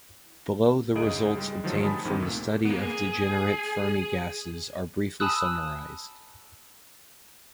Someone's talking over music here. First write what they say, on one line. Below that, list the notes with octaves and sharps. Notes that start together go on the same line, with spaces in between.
Below the results obtained from the study of degenerate Fermi gases are briefly summarized.
G1 C#2 D#4 G#4 D#5 D7
G3 G#3
D3 D#3 F3 F#3 A3
G#5 A5 B5 D#6
D2 G#2 C3 D#3
A#2 A3
A#3 B3
G#4
G#5 A5 B5 D#6 E6 F#6